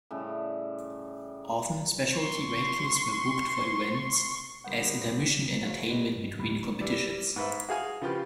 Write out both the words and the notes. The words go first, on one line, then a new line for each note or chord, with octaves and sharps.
Often, specialty vehicles were booked for events as intermission entertainment between competitions.
A2 C#3 G3
C6 C#6
D3 G3 A#3 B3 C5 F#5
F#4 G#4 A4 C#5 F5 F#5
F4 G4 B4 D5 D#5
G2
D2 A2 G3 B5
E3 G3 D5
G#2 B4 E5
F#4 G#4 F5 G#5
C#3 F3 F4 G4 B4